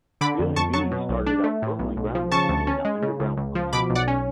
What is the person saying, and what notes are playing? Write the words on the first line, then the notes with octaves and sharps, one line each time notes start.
Feeling B started out firmly grounded in the underground punk scene.
D3 B5 D6
F2
F2 A5 C#6
F#3 A5 C#6
B2
B1
D4
A3
A2
B1
B1
F3
C#3 A5 C#6
D2
C#4
G#3
C#3
C#2
C#2
F3
B2 B5 D6
B1
D5 F#5
C#4